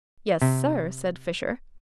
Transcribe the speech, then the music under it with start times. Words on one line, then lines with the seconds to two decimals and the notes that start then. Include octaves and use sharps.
"Yes, sir," said Fisher.
0.42 C3